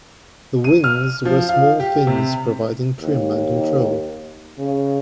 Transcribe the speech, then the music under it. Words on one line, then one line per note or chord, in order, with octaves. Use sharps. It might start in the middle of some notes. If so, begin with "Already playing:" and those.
The "wings" were small fins providing trim and control.
D#7
F6
F3
F5
G4
C3
D#2
C#3